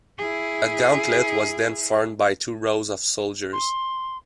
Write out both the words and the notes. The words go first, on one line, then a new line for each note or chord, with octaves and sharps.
A gauntlet was then formed by two rows of soldiers.
E4 G#4
C6